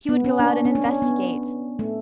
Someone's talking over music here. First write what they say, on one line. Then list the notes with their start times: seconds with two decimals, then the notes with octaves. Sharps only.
He would go out and investigate.
0.09 B3
0.24 C#4
0.39 D4
0.65 C#4
0.75 D4
0.85 C#4
1.02 B3
1.79 A3